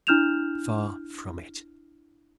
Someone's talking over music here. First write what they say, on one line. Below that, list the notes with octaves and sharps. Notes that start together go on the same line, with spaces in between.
Far from it.
D4 E4 F6 G6 E7 F7